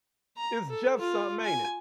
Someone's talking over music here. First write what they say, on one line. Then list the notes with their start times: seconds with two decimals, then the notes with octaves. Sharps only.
It's Jeff summin', ain't it?
0.37 A#5
0.70 A4
0.98 F4
1.44 G#5